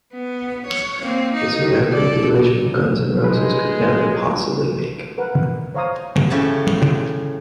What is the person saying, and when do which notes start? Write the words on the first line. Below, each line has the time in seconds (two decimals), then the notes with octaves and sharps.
It's a record that the original Guns N' Roses could never possibly make.
0.14 B3
0.67 C#5
1.02 A#3 C4
1.34 D#4
1.63 D#3
1.93 A4 D5
3.24 G#3 B4
5.18 A#4 B4 F#5
5.74 C5 C#5 F5 A#5 D#6
6.30 A2 C#3 C#4 G4 A5